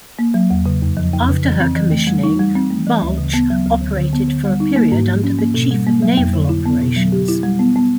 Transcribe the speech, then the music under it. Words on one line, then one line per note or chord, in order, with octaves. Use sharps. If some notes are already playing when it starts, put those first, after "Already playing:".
After her commissioning, "Balch" operated for a period under the Chief of Naval Operations.
A#3
F#3
E2
C#3
F2
F3
F2
C#3
E3
C4
E3
A3
G3
D#4
G3
C4
A3
E3
D2
C#3
B3
F#3
D2
D3
D3
B3
D3
G3
D#4
A#3
G#2
F3
C#4
A#3
B2
G3
A#3
F#3
F2
D3
E4
B3
B2
F#3
G4
E4
G3
B3
B3